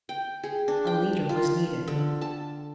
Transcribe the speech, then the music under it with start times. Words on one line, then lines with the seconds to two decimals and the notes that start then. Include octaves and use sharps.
A leader was needed.
0.09 G5
0.44 G#4
0.68 D4
0.87 G5
1.29 F4
1.88 D3
2.21 A5